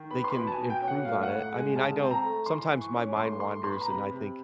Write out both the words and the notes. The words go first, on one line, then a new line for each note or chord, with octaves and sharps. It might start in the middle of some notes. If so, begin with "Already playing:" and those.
they can improve on it. I mean, I know sometimes my mind wanders, and I think
Already playing: D#3
B3 B5
C6
B2 B5
A5
G#5
B2
G5
C#4
F#5
A2 F5
F#5
A2
F#5
G#3
G#5
C#3 A5
C4 A5
A#5
A3
E3 C6
E3
C#6
C#4
A2 C6
A2 C6
B3 C6
B5
A#5
C3 B5
C3